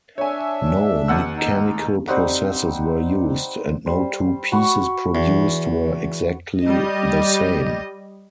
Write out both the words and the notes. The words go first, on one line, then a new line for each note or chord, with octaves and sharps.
No mechanical processes were used, and no two pieces produced were exactly the same.
D4 C#5 E5 G#5
D#2 F#5 E6
D#4
G3 C4 D#4 F#5
G3 C5
F#4 B5 C#6
E2
G3 D#5